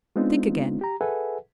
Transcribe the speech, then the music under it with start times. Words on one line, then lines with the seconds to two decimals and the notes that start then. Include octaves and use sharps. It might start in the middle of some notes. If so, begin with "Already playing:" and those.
Think again.
0.16 G#3 B3 C4 D4 D#4 F4
0.81 G4 A#5
1.01 G#4 A4 B4 E5 F#5 G#5